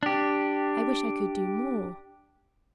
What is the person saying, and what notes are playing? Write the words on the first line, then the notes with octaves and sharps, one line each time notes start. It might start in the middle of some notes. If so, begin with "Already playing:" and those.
'I wish I could do more.'
D4 G4